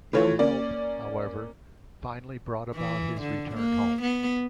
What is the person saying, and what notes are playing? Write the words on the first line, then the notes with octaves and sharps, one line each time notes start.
Ill health, however, finally brought about his return home.
E3 A3 F4 C#5
A#3 C#4 D5
E3
D3
A#3
B3